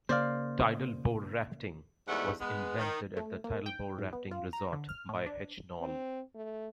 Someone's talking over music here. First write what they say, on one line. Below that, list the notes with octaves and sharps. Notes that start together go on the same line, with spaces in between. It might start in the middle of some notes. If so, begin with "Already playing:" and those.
Tidal Bore Rafting was invented at the Tidal Bore Rafting Resort by H. Knoll.
C#3 A#3 C5 D5 F5
E2 G#2 G3 A3 F#5
G#3 B3
D#3
A3
A#3
G5
G#2
B3
F4
A#5
D3
F6
A2
D4
C4
A3